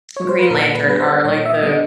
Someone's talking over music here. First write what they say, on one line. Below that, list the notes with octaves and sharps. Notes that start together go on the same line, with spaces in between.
Green Lantern are, like, the,
C#5
C5
B4
A#2 A#4
B4
G3 B3 D4 B4
C5
A#2 C#5
E5
D#5
G3 B3 D4 D#5